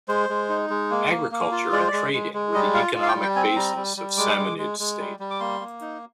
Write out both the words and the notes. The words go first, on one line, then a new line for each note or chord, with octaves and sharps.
Agriculture and trading were the economic basis of Samanid State.
G#3 C5
G#3
D#4
G#3
A#3
A#3
A#3
F4
G#3 D5
C5
D5
G#3
G#3
G#3
G3 D#5
F4 F5
F4
F5
G5
G3
G5
C4 G#5
G3 A#5
G3
G3
G#3 D6
G#3
G#3
G#3
G3
G3
D6
A#3 C6
A#3
D#4